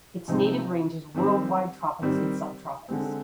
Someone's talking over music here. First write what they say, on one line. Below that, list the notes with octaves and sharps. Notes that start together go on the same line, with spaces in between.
Its native range is worldwide tropics and subtropics.
C3 F3 C4 D#4
D#3 G3 C4
D#3 G3 C4
D3 G#3 C4